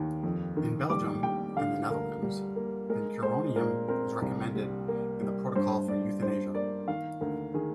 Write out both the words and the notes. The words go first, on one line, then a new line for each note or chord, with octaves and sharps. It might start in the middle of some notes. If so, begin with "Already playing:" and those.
In Belgium and the Netherlands, pancuronium is recommended in the protocol for euthanasia.
Already playing: D#2 D#3
F2
D#3
G3 D6
G3 G5
D3 F5
D2 A#4
G3
A#3
G#3 A#4
G#3 C5
A#2 A#4
C4 A#4
C2
G3
A#3
G3
G2 C5
G2 D5
G2 C5
A#3 D5
D#3 F5
D2 A#4
D#3 G#4